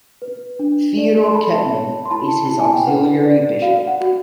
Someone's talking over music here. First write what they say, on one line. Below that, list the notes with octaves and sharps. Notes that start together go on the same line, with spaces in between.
Theodor Kettmann is his auxiliary bishop.
B4
D4
D5
C6
A4 A5 B5
C#5
C6
E4 A5 B5
E4 A5
G#5
G5
B4 F#5
D5
F#4 F5
F#5
F#4